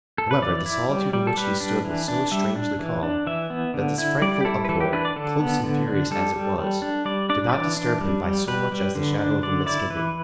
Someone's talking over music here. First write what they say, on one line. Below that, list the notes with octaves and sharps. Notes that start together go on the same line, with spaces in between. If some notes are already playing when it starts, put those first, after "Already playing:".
However, the solitude in which he stood was so strangely calm, that this frightful uproar, close and furious as it was, did not disturb him by so much as the shadow of a misgiving.
A4
B4
E3 D5
E4
G3
G3
A4
G3 B4
D4
E3
D4
G3 E5
D4
E3
D4
E3 E5
B3
D3
E4
G3 D5
G4
E4 A4
B4
E3 A4
G4
D4 B4
D5
D3 A4
B3
D3
D4
G3 A4
G3
G3
D4
G3 D5
D4 D5
B4
E3 D5
D4
G3
G3
G3 B4
G3
D3
D4
D3 D5
E4 D5
E3 B4